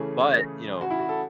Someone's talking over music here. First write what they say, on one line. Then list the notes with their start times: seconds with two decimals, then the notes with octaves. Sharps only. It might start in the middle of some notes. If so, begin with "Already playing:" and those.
but, you know,
Already playing: C#3 E3 A3 C#4 G#4
0.81 F#4
0.90 E4
0.99 F#4
1.09 A4